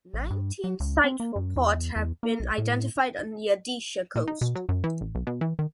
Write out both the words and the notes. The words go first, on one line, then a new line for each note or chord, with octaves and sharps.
Nineteen sites for ports have been identified on the Odisha coast.
A1
G2
F#3
C#2
C4
A#3
F#2
E2
E2
A#3
B1
A2
A#2
D#4
B2
F#3
F#2
E3
A1
B1
B2
E3
D#3